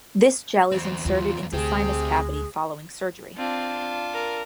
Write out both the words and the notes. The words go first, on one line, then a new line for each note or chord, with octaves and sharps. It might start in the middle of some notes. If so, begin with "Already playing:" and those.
This gel is inserted into sinus cavity following surgery.
E2 C4
D#2 G#3 F4
D2 C4 G4 G#4
C4 D4 F4
A#4